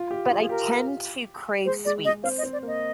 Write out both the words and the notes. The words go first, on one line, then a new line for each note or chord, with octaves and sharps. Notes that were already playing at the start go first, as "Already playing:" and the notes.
but I tend to crave sweets.
Already playing: F4
G4
F4
G#4
G4 A#4
G#3 C5
G#3 D5
G#3 D#5
C4 F5
D#5
C4
D5
A#3 D#5